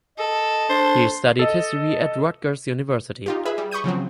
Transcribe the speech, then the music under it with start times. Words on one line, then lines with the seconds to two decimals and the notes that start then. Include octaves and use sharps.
He studied history at Rutgers University.
0.18 A4 D#5
0.70 D4 C5
1.39 A4 D#5
3.26 D#4 F4 G4
3.45 G#4 B4 E5 B5
3.58 G3
3.71 B5 C#6 D#6 G6 D#7
3.84 C#3 F3 F#3 C4